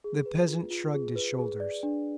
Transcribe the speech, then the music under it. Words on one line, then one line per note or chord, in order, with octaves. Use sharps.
The peasant shrugged his shoulders.
G#4
B4
F4
F4
G#4
B4
G#4
D5
D4